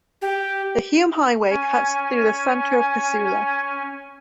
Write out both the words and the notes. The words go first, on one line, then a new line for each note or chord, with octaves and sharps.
The Hume Highway cuts through the centre of Casula.
G4
C#4 G#5